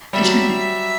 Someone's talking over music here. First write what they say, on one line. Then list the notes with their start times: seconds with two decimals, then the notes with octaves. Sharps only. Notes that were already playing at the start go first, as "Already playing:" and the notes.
They should d
0.13 G3 E5
0.22 F#3
0.29 G3